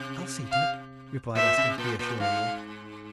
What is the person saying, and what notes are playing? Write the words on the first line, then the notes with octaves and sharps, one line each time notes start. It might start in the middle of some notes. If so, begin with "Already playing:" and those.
"I'll see to it," replied Esther reassuringly.
Already playing: C3
F5
A#2 E5
C3
A#2
A#2
G#2 F5